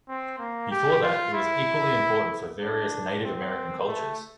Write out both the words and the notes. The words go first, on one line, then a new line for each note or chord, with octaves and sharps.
Before that, it was equally important for various Native American cultures.
C4
A#3
G4
F4
E4
D4
C4
A3